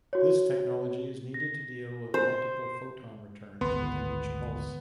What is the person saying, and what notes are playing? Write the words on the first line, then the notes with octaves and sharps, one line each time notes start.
This technology is needed to deal with multiple photon returns within each pulse.
F#4 C#5
A#6
C5
G#1 D2 B3 C6